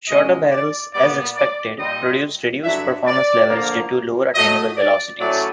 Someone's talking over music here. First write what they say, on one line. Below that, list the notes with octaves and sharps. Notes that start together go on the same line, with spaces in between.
Shorter barrels, as expected, produced reduced performance levels due to lower attainable velocities.
B2 G#3 C#4 D#5
D5
A#2 G3 B3 D5
D5
A#2 G3 C4 D#4 D#5
G2 D3 F#3 E5
D5
D3 F3 A#3
A2 F#3 A3 D#5
D5
A2 F#3 A3 C#4 D5